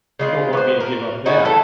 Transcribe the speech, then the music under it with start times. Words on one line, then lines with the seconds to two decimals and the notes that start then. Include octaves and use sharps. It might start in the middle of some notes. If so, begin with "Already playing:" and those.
You don't want me to give up that?
0.19 C#3 G#3 F4
0.53 B3 C5
0.80 A#4
1.26 D#4 E4 F#4 G#4
1.45 E3 A3 A4